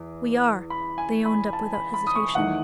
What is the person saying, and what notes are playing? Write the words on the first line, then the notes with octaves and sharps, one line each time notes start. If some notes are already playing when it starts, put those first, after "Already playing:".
"We are," they owned up without hesitation.
Already playing: E2
B5
G#5
B5
A5
B5
B5
D#6
C#6
E2 D#3 A3 D#4 F#5